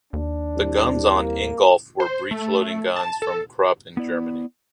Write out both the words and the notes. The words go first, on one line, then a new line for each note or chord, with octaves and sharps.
The guns on "Ingolf" were breechloading guns from Krupp in Germany.
D#2 D4
C2
A#3
C5
A3
A5
A4
B3 E4 D5